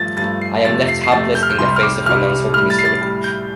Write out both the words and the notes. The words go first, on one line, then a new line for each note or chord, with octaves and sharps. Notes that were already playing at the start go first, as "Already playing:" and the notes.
I am left hapless in the face of an unsolved mystery.
Already playing: G2 F3 A3 A6
G2 F3 A3 A6
C7
F2 C3 F3 A3 A6
C7
C7
F2 C3 F3 A3 A6
G6
F6
G6
C2 C3 G3 C6
F6
D6
C2 C3 G3 F6
A2 G3 F6
A6
C7
A6
A2 G3
G6